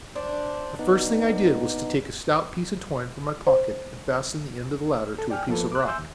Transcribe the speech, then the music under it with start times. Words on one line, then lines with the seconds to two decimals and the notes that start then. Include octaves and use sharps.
The first thing I did was to take a stout piece of twine from my pocket and fasten the end of the ladder to a piece of rock.
0.16 D4 C5
0.79 B3 D#4
3.47 C5
5.18 A4
5.30 D5 G5 G#5 F6
5.49 F3 A#3 B3 A4 B4
5.72 D6 F#6
5.85 E5 G#5 C6 E6 G6
5.98 D#2